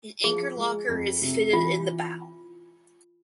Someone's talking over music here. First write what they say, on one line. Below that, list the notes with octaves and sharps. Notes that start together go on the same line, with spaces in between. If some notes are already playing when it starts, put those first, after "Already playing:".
An anchor locker is fitted in the bow.
F3 G#4
G#3
F2
C3
E3 F4